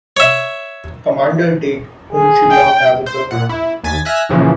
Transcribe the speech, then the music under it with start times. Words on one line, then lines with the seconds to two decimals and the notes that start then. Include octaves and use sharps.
Commander Date, whom she loved as a brother.
0.17 C#5 E5
2.12 G#4
2.51 G5
3.06 C5
3.31 A#2 F#5
3.49 E4
3.84 D#2 G#5 A6 B6
4.05 E5 G#5 F6 F#6 A#6
4.29 F#2 A#2 C#3 E3 F3